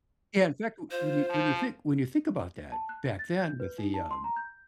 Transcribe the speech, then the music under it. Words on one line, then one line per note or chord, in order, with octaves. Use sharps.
Yeah, in fact, w when you when you think when you think about that back then with the, um,
F4 C5
F3
A5
F#6
A6
G6
B4
D#4
A5
C6
A#5
G6